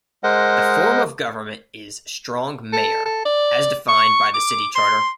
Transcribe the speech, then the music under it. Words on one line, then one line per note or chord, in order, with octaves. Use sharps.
The form of government is strong-mayor, as defined by the City Charter.
G#3 A#4 C5 D#5 F#5
A4
A4
D5
C#6
D6
C6